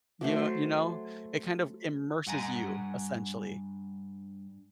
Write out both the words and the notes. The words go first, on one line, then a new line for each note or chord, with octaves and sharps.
Y you know? It kind of immerses you, essentially.
F#3 A3 C5
G2 F#5 G#5 A#5